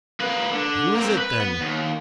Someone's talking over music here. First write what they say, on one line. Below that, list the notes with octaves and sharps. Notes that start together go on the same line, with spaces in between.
"Who is it then?"
A#3 B4
D3
A#3 C4
B4
B3
D#2